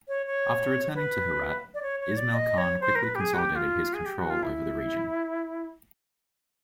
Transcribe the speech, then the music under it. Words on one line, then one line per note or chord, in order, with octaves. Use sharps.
After returning to Herat, Ismail Khan quickly consolidated his control over the region.
C#5
C#5
B4
D5
C#5
C#5
D5
D#5
C#5
C5
A#4
B4
G4
G#4
F#4
G4
F4
G#4
G4
F#4
F4
E4